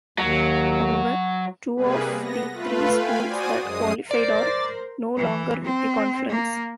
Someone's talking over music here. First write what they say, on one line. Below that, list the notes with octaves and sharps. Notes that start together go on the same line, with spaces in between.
However, two of the three schools that qualified are no longer with the conference.
D#2 F#3
C3 G3 A#3 G#4 B4
B3 A#6
A3 F4 B4
F5 G5 G#5 B5
F#4 C5 D5 G#5 D#6 D#7
F#2 G#3 D#6 C7
A#4 C5 D5
E3
C4
A#3